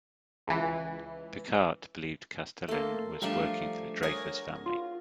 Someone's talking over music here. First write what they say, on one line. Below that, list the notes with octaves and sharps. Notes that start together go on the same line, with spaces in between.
Picquart believed Castelin was working for the Dreyfus family.
C#2 E3
A3 A#3 A4 C6
F3 G3 A3 D4 A#5
F#4 G#4 A#4 C#5
F4